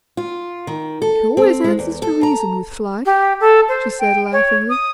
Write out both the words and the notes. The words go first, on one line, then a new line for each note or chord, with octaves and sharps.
"It always answers to reason with Fly," she said, laughingly.
F4
D#3
A4
C4
G#3
E2
A4
A#5
G4
A4
C5
G5
C#5
D#6